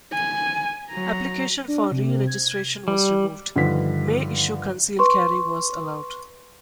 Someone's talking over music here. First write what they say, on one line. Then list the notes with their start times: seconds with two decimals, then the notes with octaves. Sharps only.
Application for re-registration was removed, May issue concealed carry was allowed.
0.13 G#5
0.90 F#3 A#5
1.68 D4
1.91 C3
2.27 G#6
2.88 G3
3.56 G2 D3 D#3 F3 B4 B6
4.99 B4 C6 C#6